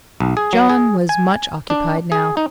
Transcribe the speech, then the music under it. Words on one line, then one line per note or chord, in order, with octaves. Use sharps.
John was much occupied now.
B1
G#4
F#3
G#4
G#5
D4
G#4
D#4